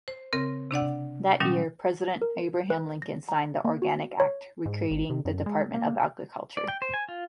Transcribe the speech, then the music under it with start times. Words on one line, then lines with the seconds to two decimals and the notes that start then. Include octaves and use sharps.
That year, President Abraham Lincoln signed the Organic Act recreating the Department of Agriculture.
0.08 C5
0.33 C#3 C4 A#4 A#6
0.71 C3 D4 D5 F#5
1.40 A#2 D#3 F#3 G3 C#4 D#6
2.22 A#4
2.70 B4
3.02 A#6
3.29 A#5
3.65 A#3
3.82 F#4
4.20 C#5
4.66 G#2
4.91 G#1
5.10 C3
5.25 F#2
5.46 G#3
5.74 A#3
6.57 D5
6.68 G5
6.82 C5
6.94 G#5
7.09 F4